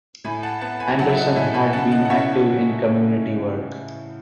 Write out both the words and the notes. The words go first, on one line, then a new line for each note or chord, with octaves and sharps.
Anderson had been active in community work.
A2 G#5 B5
F#5 A5
B3 F#5 A5
G#5 B5
F#3 F#5 A5
E5
D#5 F#5
A2 E5 G#5
G#5 B5
C#3 F#5 A5
D#5 F#5
F#5
C#4 C#5 E5